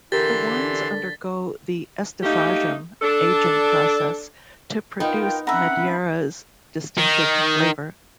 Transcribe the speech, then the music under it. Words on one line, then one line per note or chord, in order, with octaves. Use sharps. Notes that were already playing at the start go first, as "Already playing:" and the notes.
The wines undergo the "estufagem" aging process to produce Madeira's distinctive flavor.
D3 E3 G4 A#4 C6 A6 B6 G7
A3 A#3 D#4 G4
D4 A4
B3 D#4 F4 A#4 G5
C4 C#4 E5 F#5 A#5 B5
D#3